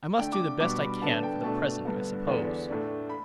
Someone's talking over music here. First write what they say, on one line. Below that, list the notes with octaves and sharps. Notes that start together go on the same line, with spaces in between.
I must do the best I can, for the present, I suppose.'
D3 A3 D4 G5
D6
B2 G3 D4 D6
B5
D3 B3 D4 A5
G5
B2 A3 D4 A5
G2 D3 B3
E2 D3 B3 D4
A2 A3 D4
B5